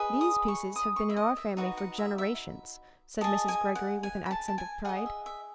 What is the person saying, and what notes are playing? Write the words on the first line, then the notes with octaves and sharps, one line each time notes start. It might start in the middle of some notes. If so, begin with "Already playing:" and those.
"These pieces have been in our family for generations," said Mrs. Greggory with an accent of pride.
Already playing: G#4 B4 D#5
D#6
C#6
D#6
C#6
E5
D#5
E5
D#4 F#4 B4 D#5 F#5
F#5
E5
E5
G#4 D#5 A5
G#5
F#5
G#5
B5
A5
A5
G#5
G#4 D#5 F#5
E5
E5